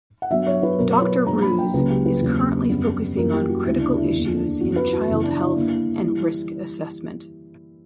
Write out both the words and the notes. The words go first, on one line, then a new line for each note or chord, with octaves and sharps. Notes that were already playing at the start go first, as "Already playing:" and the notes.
Doctor Roos is currently focusing on critical issues in child health and risk assessment.
F#5
G2 F#3 B3 E5
C#5
B4
B2 F#3 B3 A#4
C#5
B4
G2 F#3 A#3 A#5
B5
G5
C#2 C#3 F#3 A#3 B4
G4
B4
E2 C#3 F#3 A#3
F#2 D3 G3 B3
F#2 E3 G3 A#3 A#4
G4
F#4
D2 C#3 G3 B3 E4
D4
E4
E2 D3 A#3
D4
F#2 E3 B3 F#4
B4
F#4
F#2 C#3 E3 B3 E4
D4
E4
G2 D3 A#3
E3 G3